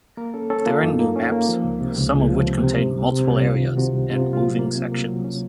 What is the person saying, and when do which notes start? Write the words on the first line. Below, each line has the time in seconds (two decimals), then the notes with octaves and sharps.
There are new maps, some of which contain multiple areas and moving sections.
0.17 A#3 A#4
0.34 C#4 A4
0.50 C#4 A4
0.66 A#3 F4
0.83 F#2 D#4
0.99 A#3
1.16 C#4
1.32 A#3
1.49 F3
1.64 C#2
1.81 C3
1.97 C#2
2.14 C#2
2.30 F3
2.46 C3
2.63 C3
2.79 C2
2.96 C2
3.12 C3
3.28 C2
3.45 C2 F4
3.61 D#3
3.77 C3 F#4
3.94 C2
4.10 C3 F4
4.21 F#4
4.27 A#3
4.33 F4
4.43 F#3
4.59 A#3
4.75 C3
4.92 A#3
5.08 F#3
5.24 C#4